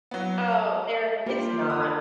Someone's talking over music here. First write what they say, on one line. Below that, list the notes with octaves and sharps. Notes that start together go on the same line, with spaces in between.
Oh, there it's not.
F#3 B3
C#5
G3 A#3 F4 G4
B5 D#6